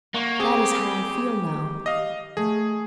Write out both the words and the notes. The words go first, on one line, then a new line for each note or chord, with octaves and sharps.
That is how I feel now.
A#3 F#5 C#6
C4 G4 G#4 E7
D#5 F5
A3 G#4